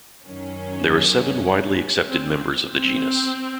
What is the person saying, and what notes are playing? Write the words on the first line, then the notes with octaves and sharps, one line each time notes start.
There are seven widely accepted members of the genus.
F#2 D#3 F#3 C#4
C4
C4